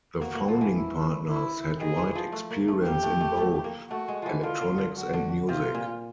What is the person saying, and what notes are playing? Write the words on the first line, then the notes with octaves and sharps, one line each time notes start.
The founding partners had wide experience in both electronics and music.
A#3 F#4
A#3
F3
E3
E4
E4
D#3 G#4
E3
F3
A3
A#3
A3
A#3 G4
A3
A3
A3
A#3
A3 F#4
G#3
E3 F3
D3 F4
D3
D3
F#4
D3
C3 F4
A#2